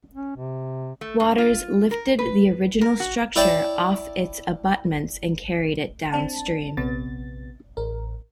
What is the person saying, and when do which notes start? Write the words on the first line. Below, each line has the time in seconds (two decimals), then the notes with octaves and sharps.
Waters lifted the original structure off its abutments and carried it downstream.
0.14 C#4
0.36 C3
1.01 A3
1.20 G2
1.38 F4
1.91 A#4
2.19 B4
2.81 A#4
3.00 F#4
3.36 E4 C#5 D5 G5 A5
6.12 C4 D4 A5
6.77 A#1 C3 B3 A6
7.77 A1 A#4